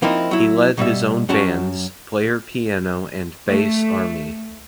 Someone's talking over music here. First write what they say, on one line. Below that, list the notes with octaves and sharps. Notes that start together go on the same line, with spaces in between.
He led his own bands, Player Piano and Bass Army.
F3 A#3 C4 D#4 E4
F#3 E4
B2 G3 D5 E5
F#2 C#4 F#4 A5
A3